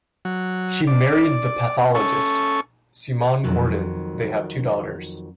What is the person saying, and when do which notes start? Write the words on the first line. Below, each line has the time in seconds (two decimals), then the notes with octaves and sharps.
She married the pathologist Siamon Gordon; they have two daughters.
0.25 F#3
0.87 D5
1.95 C#4 A4 C#6
3.43 F2 D#3 F#3